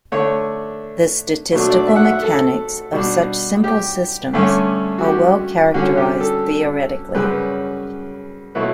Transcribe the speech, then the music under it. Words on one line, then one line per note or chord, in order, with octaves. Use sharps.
The statistical mechanics of such simple systems are well-characterized theoretically.
D3 A3 D4 C#5
B2 F#3 A3 D4
D5
E5
F#5
E5
A4
B2 G3 D4
G4
G2 D3 A3 C#4
F#4
G4
D3 G3 C#4 F#4
G4
A4
F#2 C#3 G3 B4
B2 F#3 A3 E4 B4